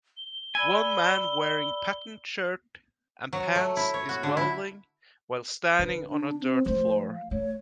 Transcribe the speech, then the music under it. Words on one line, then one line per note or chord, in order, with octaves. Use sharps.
One man wearing patterned shirt and pants is welding while standing on a dirt floor.
G7
D5 G#5 B5 E6
F#3
A3
E4
C#5
F#4
D3
E4
D3 B4
D4
C4
F3 A3 C5
F5
A3 C#5